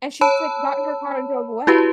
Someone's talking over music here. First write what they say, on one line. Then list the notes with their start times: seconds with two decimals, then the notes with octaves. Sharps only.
And she's, like, got in her car and drove away.
0.21 C#5 A5 B5 E6
1.67 E4 F#4 G4 B4